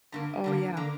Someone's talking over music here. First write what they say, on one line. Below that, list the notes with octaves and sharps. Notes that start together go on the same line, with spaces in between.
Oh yeah.
G2 D3 A#3
G2 D3 A#3
D3 A#3